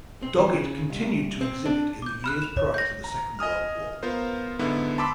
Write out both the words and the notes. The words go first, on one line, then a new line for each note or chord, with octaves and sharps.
Doggett continued to exhibit in the years prior to the Second World War.
C4
E3
C#3
C2
C4
D4
D6 G6
B5 F6 F#6
E7 F7
C#5
G6 A#6
A#5
D#5 G#5 D#6 F6
B3 F4 A#4 C5
G#2 D3 B3 E4
A5 B5 C6 D6 E6 B6